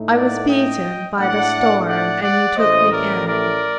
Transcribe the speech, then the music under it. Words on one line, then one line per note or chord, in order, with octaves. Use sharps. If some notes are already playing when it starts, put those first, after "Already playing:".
I was beaten by the storm, and you took me in.
Already playing: A2 A3 D#4
D5 F#5
D#5 G5
A2 A3 D4 D5 F#5
D5 F#5
D5 F#5
A1 A2 A3 C5 D#5
A#4 D5
A#4 D5